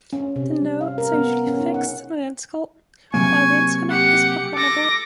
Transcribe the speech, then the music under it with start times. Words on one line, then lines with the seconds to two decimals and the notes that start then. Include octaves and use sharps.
The nodes are usually fixed and identical, while the interconnect is programmable.
0.13 C#4
0.36 C3
0.62 G3
0.81 F5
0.98 A#4
1.13 B3
1.47 C#4
1.60 D#4
1.74 F#5
3.14 C3 F#3 A#3 G#5 C#6
3.90 G4 F#5 C#7
4.55 A4 D6 A#6